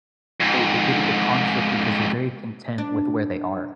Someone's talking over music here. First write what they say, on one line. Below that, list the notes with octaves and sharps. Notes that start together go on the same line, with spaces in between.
they they get into conflict because they're very content with where they are.
F2 G#2
D4